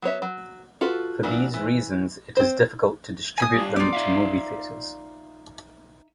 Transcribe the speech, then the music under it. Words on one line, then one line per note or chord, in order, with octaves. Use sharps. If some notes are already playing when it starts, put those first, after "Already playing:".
For these reasons, it is difficult to distribute them to movie theaters.
F#3 B3 C#5 E5
F#3
F4 F#4 A4 B4
E3 F#3 A#3 B3 D4
E3
C4 C5
G#5 B5 D#6
G3 D4 F4
F#3 B3 F4 D5
D#4 E5 F5